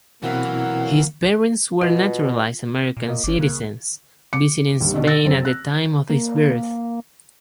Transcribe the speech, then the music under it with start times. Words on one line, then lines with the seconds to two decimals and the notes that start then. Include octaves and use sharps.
His parents were naturalized American citizens, visiting Spain at the time of his birth.
0.23 B2 E3 F#3 A#3 C4 E4 F#5
1.81 B2 F4
2.97 A#2
3.08 A#3 F4 D#5
3.24 G1 C#4 D6
3.38 C2 C#3 A#3 F#6
4.33 D6 C#7
4.81 G1 D#2
4.94 B2 D3 D#3
5.07 E6 A6 A#6
5.25 F#1 C4
5.45 F#6
6.09 A#3